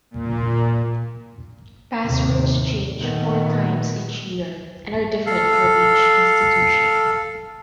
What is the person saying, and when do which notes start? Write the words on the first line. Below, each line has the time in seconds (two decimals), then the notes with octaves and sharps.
Passwords change four times each year and are different for each institution.
0.11 A#2
2.05 D#2 A2 C3
2.98 A#2 D#3 A3 B3
5.26 A4 F5